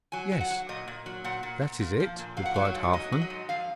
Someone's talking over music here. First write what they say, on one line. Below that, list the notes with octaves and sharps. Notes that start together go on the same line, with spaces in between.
'Yes, that is it,' replied Halfman.
F#3 G#5
F#3
F#5
F#3
A#2 D#5
A#2
F#3
A#2 F#5
A#2
A#2
A#2
F3
A#2
F#3 F5
F#5
F#3 F5
C#5
G#2
C#5
F#3 D#5
F#3
D#5
G#2
F2 F5